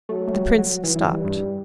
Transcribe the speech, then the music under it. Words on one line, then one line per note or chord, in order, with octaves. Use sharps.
The prince stopped.
F#3 A3
A3
G3
F#3
E3
E3
E3 G3
G2